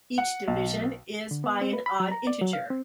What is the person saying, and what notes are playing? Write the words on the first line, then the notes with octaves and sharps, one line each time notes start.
Each division is by an odd integer.
F#5
B1
D3
B3
C4
B4
B5
F#3
A#5
D5
F#3
F5
C4